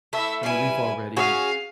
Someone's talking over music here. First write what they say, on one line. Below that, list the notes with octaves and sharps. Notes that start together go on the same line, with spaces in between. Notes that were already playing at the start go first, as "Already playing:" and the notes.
I mean, we've already
A3 E4 E5
G3 E4 B4 G#5
C#4 F#4 G#4 F5